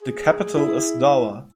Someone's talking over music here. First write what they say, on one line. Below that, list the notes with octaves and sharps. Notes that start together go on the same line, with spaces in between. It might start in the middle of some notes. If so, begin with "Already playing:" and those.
The capital is Dowa.
G#4
E4